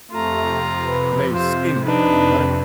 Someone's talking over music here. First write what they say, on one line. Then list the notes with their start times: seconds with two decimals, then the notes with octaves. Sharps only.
and they skinny, right?
0.11 F2 C3 A3 F4 A#5
0.87 B4
1.32 F4 C5
1.84 D4 D#4 B4